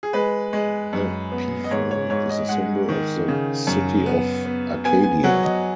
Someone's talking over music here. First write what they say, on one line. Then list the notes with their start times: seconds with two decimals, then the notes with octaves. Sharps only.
The peafowl is a symbol of the city of Arcadia.
0.03 G#4
0.13 G#3 B4
0.53 G#3
0.93 F#2
1.32 B3
1.64 D#5
1.71 G#2 C#5
1.91 C#5
2.10 G#2 C#5
2.30 D#5
2.49 G#3 F#5
2.89 D#3
3.28 C#3
3.67 F#2
4.06 B3
4.46 B3
4.85 B3 G#5
5.04 G#5
5.24 F#3 F#5
5.43 D#5